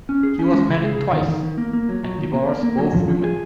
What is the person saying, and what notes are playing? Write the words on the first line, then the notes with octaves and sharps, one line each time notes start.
He was married twice and divorced both women.
C#4
G#4
C#4
G#3
C#3
G#4
C#3
D#3
D#3
D#3
A#3
A#3
F#3
F#3
D#3
A#3
A#3
A#3
F#3
F3
F3
G#4